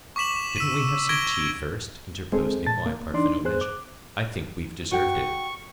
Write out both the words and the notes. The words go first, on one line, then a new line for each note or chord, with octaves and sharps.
"Shouldn't we have some tea first?" interposed Nikolay Parfenovitch, "I think we've deserved it!"
C#6 D6 B6 E7 F#7
E6 B6 D#7
C#6 G#6 A#6 D7 G7
G#3 C4 G#4 A4
A#2 A5 A6
A#3
E3 D4 D#4 D5 C6
E2 B3 G#4 C5 F#6
D6
F#4 G5 C#6